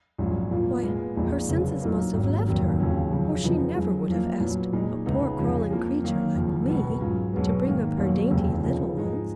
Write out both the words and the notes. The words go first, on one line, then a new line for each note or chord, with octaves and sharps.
Why, her senses must have left her or she never would have asked a poor crawling creature like me to bring up her dainty little ones!
A#1 G#2 F#3 C#4 F4
A#2 F3 A#3 F4
A#2 G#3 B3 F4
A#1 A#2 G#3 D#4
F#1 F#2 C#3 G#3 B3
A#2 F#3 A#3 D#4
G#1 G#2 F#3 A#3
F1 D#2 D#3 F#3 A#3
D#2 C#3 F#3 C#4 F4
F2 C#3 F#3
F2 C#3 F3 B3 D#4
F#2 F3 G#3
F#2 F3 A#3
A#2 F#3 B3
A#2 G#3 D#4
C#2 C#3 G#3 B3 D#4
F2 C#3 G#3
F2 F3 A#3 F4
F#2 D#3 A#3
F#1 F2 D#3
C#2 B2 G#3 B3
G#2 F#3 C#4 F4
B1 B2 G#3 B3
G#2 D#3 A#3
B1 B2 F#3 A#3
F1 D#2 C#3 G#3
F2 C#3 F3 B3 D#4
G#2 F3 G#3 D#4